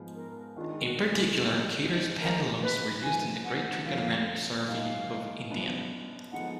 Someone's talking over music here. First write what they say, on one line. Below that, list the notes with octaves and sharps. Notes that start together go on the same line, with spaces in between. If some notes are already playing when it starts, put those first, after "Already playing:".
In particular, Kater's pendulums were used in the Great Trigonometric Survey of India.
Already playing: G#2 F3 G#3 B3
A#4
D#3 G#3 D4 F4
F#4
G#4
G#2 F3 G#3 D#4 A#4
F#2 D#3 G#3 D#4 A#4
B4
F#2 F3 G#3 G#5
F#5
F2 D3 F3 F5
G#2 F#3 A#3 D#4 F5
F#2 F3 B3 D4
D3 F3 G#3 B3 D#4 F#5